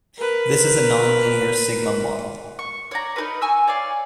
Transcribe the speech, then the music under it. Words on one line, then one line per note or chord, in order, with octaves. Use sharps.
This is a non-linear sigma model.
A#4 B4
C#6
C#5 D5 A#5
D#4 G#4 A#4 B4
G#5 C#6 E6
C#5 D5 F5